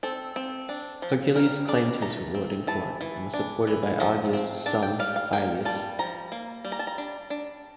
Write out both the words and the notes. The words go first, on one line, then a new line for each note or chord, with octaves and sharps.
Hercules claimed his reward in court, and was supported by Augeas' son Phyleus.
C4 A4
C4
D4
F3
G3 A#4
D4 D5
A3 A#5
C4
E3 A5
E3
D4
E3
F3 A#5
C4
D4 A5
G5
G3 F5
F5
A#3 G5
G3 A5
F3 A#5
A#3
G3
A#5
A5
A#5
D4
D4